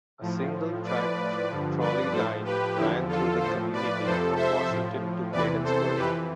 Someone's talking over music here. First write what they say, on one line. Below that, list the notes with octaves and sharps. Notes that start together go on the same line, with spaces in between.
A single-track trolley line ran through the community from Washington to Bladensburg.
A2 F3
A2 F3 B4 D5
G2 D3 F3
B4 D5
A2 F3 A4 C5
G4 B4
E2 D3 F3 E4 G4
F4 A4
A2 F3 A4 C5
B4 D5
F2 C3 F3 A4 C5
C5 E5
A2 F3
E2 C3 E3 B4 D5
A4 C5
F2 E3 G4 B4